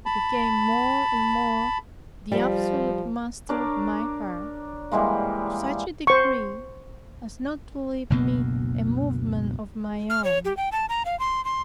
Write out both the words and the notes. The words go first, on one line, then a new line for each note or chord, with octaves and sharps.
He became more and more the absolute master of my heart, to such a degree as not to leave me a movement of my own.
A5 B5
F3 G3
D4 A#4 C#5 D5
E3 G3 G#3 A#3
C5 C#6
F#1 D2 B2 A#3
F6
C#5
G4
G5
A5
A#5
F5
C6
C6